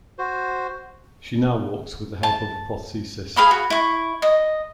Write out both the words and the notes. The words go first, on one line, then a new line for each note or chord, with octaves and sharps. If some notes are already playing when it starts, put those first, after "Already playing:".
She now walks with the help of a prosthesis.
F#4 C5
A5
G#4 F5 B5 D#6
F#4
E4 C#6
D#5